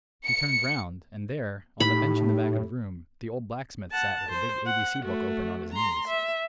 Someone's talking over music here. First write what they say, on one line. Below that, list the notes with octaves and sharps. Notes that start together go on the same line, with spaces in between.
He turned round, and there, on the bench in the back of the room, the old blacksmith sat with a big ABC book open on his knees.
C#7
A2 D#4 G4 B5
F#5 A5
C5
F#5
A3 F#4
A#5 C6
E5